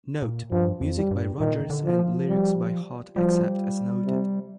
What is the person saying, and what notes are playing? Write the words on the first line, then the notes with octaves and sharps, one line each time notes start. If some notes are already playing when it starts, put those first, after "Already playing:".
"Note:" music by Rodgers and lyrics by Hart except as noted.
A#2
G2 F3
F2
G3
G2
A#2 D#3
D3
F3
F3
G3
F3 G3
C3